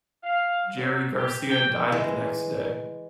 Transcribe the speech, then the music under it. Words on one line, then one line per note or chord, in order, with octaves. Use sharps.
Jerry Garcia died the next day.
F5
F#3
G4
G5
E3 G#3